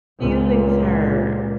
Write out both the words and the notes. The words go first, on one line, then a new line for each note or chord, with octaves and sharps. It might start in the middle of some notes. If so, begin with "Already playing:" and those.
feelings hurt.
C#2 A#2